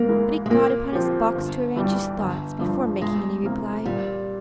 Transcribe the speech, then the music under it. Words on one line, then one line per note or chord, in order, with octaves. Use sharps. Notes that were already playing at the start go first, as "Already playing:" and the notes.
But he got upon his box to arrange his thoughts before making any reply.
Already playing: G#2 A#3
E3 G#3 E4 A#4
G#3
A#2 A#3
F3 C4 G4
G1
G2 E3 G3
G1
G2 F3
E2 G#3
C3 E3 A#3
A#2 G3